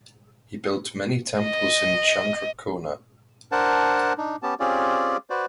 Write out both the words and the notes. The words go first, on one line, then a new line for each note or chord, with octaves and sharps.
He built many temples in Chandrakona.
D#5
D4 A#4 C5 F#5 A5
D4 D#4
B3 C#4 G4 A5
C4 C#4 F4 G4 G#4 D5
F#4 B4 C5 D5